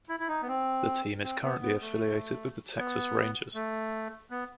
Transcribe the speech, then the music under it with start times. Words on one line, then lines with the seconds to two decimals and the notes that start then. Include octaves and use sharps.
The team is currently affiliated with the Texas Rangers.
0.09 E4
0.20 E4
0.28 D#4
0.42 B3
0.48 C4
1.24 C4
1.43 B3
1.62 B3
1.82 A3
2.77 B3
3.54 A3
4.31 B3